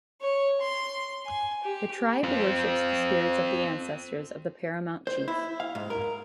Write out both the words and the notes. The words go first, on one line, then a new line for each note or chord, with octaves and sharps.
The tribe worships the spirits of the ancestors of the paramount chief.
C#5
C6
G#5
G4
C4 F4
C5
E4
F5
G#2
A#4